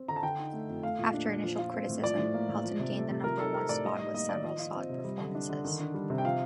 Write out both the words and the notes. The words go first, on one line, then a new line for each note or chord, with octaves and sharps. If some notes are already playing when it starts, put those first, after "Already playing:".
After initial criticism, Helton gained the number one spot with several solid performances.
Already playing: C4
D3 A#5
A5
D3 G5
D#4
A3
F2
A3 F5
A#2
D4
A#2
F3
F4
C4
A2
F3 D5
A2
A#3
A2
F3
C3
A3
C3
F3 A#4
D#4 A4
C4 A#4
A2 D5
G3 D#5
D#4 D#5
A#3 D#5
D#3 D5
F3 D#5
F4
C4
C3
G3
D3
D4
D3
D#3
D4
G3
C3
G5
F3 F5